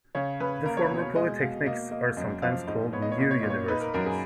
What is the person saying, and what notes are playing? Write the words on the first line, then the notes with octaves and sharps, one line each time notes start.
The former polytechnics are sometimes called new universities.
C#3 C#5
C#3 B4
A#3 A#4
C#5
B4
B2
C#5
G#3 D#5
B2 F5
A#3 D#5
A#3 D#5
F#2 D#5
F3 F5
G#2 D#5
B3 C#5
D#5
C#5
A#2 D#5
C#5
A#2 D#5
C#5
D#4 B4
A#4
F#2 A#4
G#4